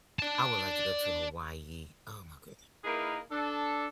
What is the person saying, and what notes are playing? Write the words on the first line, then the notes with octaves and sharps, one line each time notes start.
I would like to go to Hawaii, oh my goodness
D5 A5
A#3 D#4 E4 G#4 A#4 B4
D4 A4